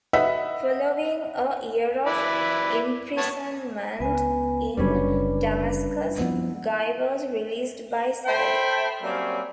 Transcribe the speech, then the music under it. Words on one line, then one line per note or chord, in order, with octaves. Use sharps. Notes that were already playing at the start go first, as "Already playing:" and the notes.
Following a year of imprisonment in Damascus, Guy was released by Saladin.
B4 D#5 E5 F#5 E6 B6
E4 B4 D5
B3 C#5 A5
C#2 B3 B4 G#5
F#1 F#2 D3 G3 C#4 D4 B4 B5
F3 B3 C4 E4 F#5
A4 C5 E5 G5 A5 B5
F#3 G3 A#3 C4 C#4